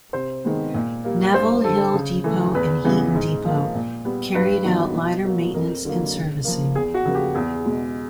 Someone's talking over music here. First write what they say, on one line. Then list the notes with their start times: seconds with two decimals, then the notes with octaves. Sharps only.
Neville Hill Depot and Heaton Depot carried out lighter maintenance and servicing.
0.13 C3 C5
0.44 D#3 G#3 B3
0.74 A#2
1.04 G3 A#3
1.34 G2 C5
1.64 D3 G3 A4
1.94 C#3
2.24 E3 A3
2.55 E2 B4
2.84 C#3 E3 G#3 B3
3.14 G#2
3.45 F3 A#3
3.75 A#2
4.05 G3 B3
4.34 G2 B4
4.65 D#3 F#3 B3
4.95 B2
5.25 F#3 A#3
5.54 F2 A#4
5.85 D3 F#3 A#3
6.15 C#3
6.44 F3 A#3
6.75 E2 G#4
6.94 F#4
7.05 C#3 F3 A#3
7.15 G4
7.34 E2 G#4
7.65 B2 G#3